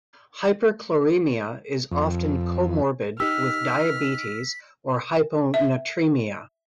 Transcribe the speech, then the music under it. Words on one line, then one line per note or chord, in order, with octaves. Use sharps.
Hyperchloremia is often comorbid with diabetes or hyponatremia.
F2
D#4 G4 E6 F6 B6
E5